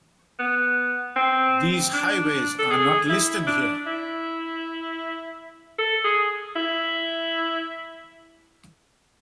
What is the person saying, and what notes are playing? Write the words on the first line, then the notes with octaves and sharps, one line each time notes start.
These highways are not listed here.
B3
C4
D4
A4
G#4
E4
D4
E4
A4
G#4
E4